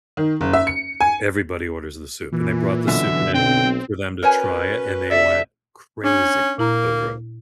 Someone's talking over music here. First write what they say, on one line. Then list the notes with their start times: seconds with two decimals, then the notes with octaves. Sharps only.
everybody orders the soup.” And they brought the soup in for them to try it, and they went crazy over it.
0.17 D#3
0.41 F#1
0.53 E5
0.67 C#7
1.00 G#5
2.33 A#2 E3
2.88 F#2 B2 D3 E5
3.35 B1 C4 G5
4.23 C#4 F#4 A#4 B4 C#5 G#5
5.11 D2 C3 A4 D5 E5
6.04 C#4 D4
6.58 A#2 A#3 E4 A#5